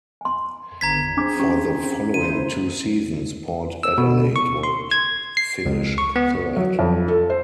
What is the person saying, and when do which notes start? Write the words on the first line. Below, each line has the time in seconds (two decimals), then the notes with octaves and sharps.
For the following two seasons Port Adelaide would finish third.
0.21 G#5 C6
0.81 G#1 D3 B3 A#5 G#6 B6
1.01 E2
1.17 C4 D4 G#4 C5 D6
1.40 C#4 G4
2.14 C#3 E4 C5 D#7
3.83 E6
3.98 B2
4.36 C#6
4.63 C6
4.91 G#6
5.37 C7
5.66 C#2
5.98 C#6
6.16 B3
6.56 F#3
6.79 F2
7.08 A4
7.30 C5